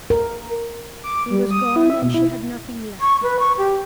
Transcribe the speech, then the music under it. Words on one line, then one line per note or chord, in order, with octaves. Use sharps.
He was gone, and she had nothing left to her.
A#4
D6
G3
D#6
E4
E5
B2
E4
C#6
B4
C#6
G4